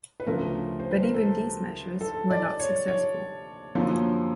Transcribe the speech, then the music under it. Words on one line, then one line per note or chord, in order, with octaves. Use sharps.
But even these measures were not successful.
B4
D2 C#3 F3 A3 A#4
C5
B4
A#4
A4
A4
D5
C#5
C#5
F#2 D3 F3 A#3 C#4